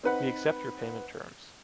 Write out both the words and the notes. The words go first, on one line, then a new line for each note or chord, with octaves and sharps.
We accept your payment terms.
C4 D#4 B4 F#5